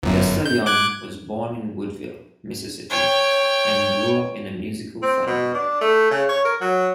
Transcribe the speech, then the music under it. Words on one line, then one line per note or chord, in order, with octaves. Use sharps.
Lester Young was born in Woodville, Mississippi, and grew up in a musical family.
G1 F#2
G6
D6 F#6 G#6
C#5 G5
C4
B2
D4
A3
C#3
C#5
A#4
F#3